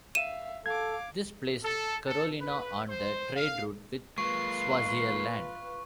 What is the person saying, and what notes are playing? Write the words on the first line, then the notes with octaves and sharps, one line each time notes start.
This placed Carolina on the trade route with Swaziland.
E5 F5 D#7 E7
A4 F5 D6 G#6
A4
A4
B4
C5
F5
G#3 A#3 F4 B4 C6 C#6